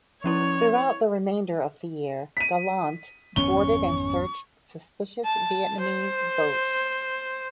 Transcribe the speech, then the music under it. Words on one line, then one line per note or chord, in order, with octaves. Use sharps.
Throughout the remainder of the year, "Gallant" boarded and searched suspicious Vietnamese boats.
F3 C#4 E4 C#5
B6 D#7
G#1 F2 B3 C#4 C#6 G7
A5
C5